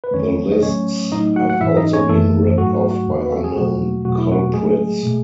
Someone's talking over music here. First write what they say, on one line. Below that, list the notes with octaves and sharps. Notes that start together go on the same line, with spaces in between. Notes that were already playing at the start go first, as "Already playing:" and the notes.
The lists have also been ripped off by unknown culprits.
B4
E2 D#3 F#3 A3 C#4 C#5
D#5
A2 F#3 A3 C#4 C#5
A2 F#3 A3 D#4 D#5
F#4 F#5
F#5
G#2 E3 G#3 E4 E5
D#4 D#5
C#4 C#5
F#2 E3 G#3 A3 A4
G#2 F#3 A3 F#4
F#4
F#4
E2 C#3 G#3
B4
A4
G#4
E2 B2 F#3 A3 F#4
E2 B2 F#3 A3 F#4
E4
F#4
A2 F#3 G#3 A3 G#4
B2 A3